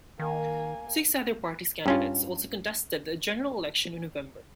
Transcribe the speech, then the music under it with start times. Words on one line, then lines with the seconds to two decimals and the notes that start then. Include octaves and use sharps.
Six other parties' candidates also contested the general election in November.
0.19 D#3 A#3 G#5
1.86 G2 C#4 F4